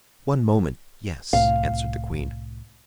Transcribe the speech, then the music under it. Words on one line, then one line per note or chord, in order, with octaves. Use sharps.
"One moment, yes," answered the queen.
C2 A2 F5